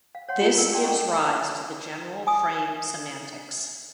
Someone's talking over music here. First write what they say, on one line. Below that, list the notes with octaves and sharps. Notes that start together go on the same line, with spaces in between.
This gives rise to the general frame semantics.
F5
C#5 F#5 C6
F4
E4 F4 D5 A5 E6
G#4 D5 G5 A5 A#5 C6
C#4 A4 D5 D#5 F#5 C#6
G#5 D#6